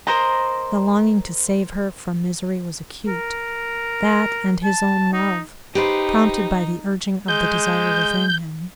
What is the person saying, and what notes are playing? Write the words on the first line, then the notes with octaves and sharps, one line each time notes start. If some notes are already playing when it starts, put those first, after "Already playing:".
The longing to save her from misery was acute, that, and his own love, prompted by the urging of the desire within him.
A#4 C5 D#5 A#5
A#4
A5
D#4
D#4 G4 B4 C5
G#3 G6